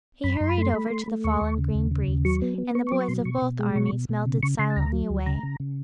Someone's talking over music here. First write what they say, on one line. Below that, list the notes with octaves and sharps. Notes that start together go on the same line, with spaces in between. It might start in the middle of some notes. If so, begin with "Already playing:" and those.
He hurried over to the fallen Green Breeks, and the boys of both armies melted silently away.
F#2 B5
F#2 C6
B5
A3 C6
A3 B5
A3 C6
B5
A3
D#2 C#6
D#2
C#3
D#2
C#3
D#2
F#3 C#6
B3
B3
B3 C#6
C#6
F#3 D6
C#6
B2 C6
B2 C#6
B2
G#3
B2 C#6
B2
B2
C#3
C#3 C#6
C#3 C6
A5
D2 A#5
F#3
D2
C#3 A#5
C#3
C#3